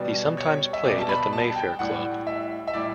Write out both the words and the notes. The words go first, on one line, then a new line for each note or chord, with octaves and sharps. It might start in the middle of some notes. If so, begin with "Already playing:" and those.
He sometimes played at the Mayfair Club.
Already playing: B2 G3
C#5
E5
B2 G3 D5
A5
B5
A5
G5
A2 G3 F#5
E5
E5
A2 G3 D5